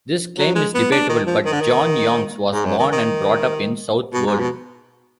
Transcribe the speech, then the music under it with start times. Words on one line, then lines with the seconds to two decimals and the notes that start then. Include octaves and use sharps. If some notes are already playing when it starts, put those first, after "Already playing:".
This claim is debatable, but John Youngs was born and brought up in Southwold.
0.38 F#3
0.55 G#3
0.74 B3
0.92 D4
1.09 D#3
1.26 F3
1.45 D#3
1.53 D3
1.60 D#3
2.52 G#2
2.65 F#2
2.79 D#3
2.92 D#3
4.13 B2
4.27 G#2
4.39 B2